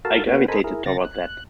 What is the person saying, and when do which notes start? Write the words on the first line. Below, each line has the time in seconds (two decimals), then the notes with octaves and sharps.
I gravitated toward that.
0.05 F#4 A4 A#4 F5 A5
0.27 A#3 B3 C#4 F#4 B4 C5
0.48 A4 A#4 C5 D#5 G#5 B5
0.64 E4 G#4 A#4
0.86 C#3 A6 A#6
1.05 F#6